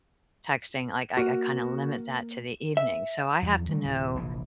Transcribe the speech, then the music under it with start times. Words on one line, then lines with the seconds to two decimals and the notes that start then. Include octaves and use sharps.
texting, like, I I kinda limit that to the evening. So I have to know
1.17 A#3 F#4 A#4
2.77 E5
3.42 E2 F3 F#3
3.68 D#3 G3 A3
3.85 D1
4.15 F1 A#1 D3 E3